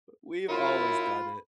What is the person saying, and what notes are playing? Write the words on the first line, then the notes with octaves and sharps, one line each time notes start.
we've always done it.
F#2 E4 F4 B5